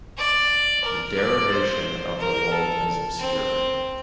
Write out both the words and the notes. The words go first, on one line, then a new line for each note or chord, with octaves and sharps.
The derivation of the word is obscure.
D5
A#4
D5
C5
A#4
A4
C4